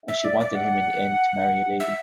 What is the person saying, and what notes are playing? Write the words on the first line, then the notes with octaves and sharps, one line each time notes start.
And she wanted him in the end to marry a lady.
E5
D5
D5
F#5
E5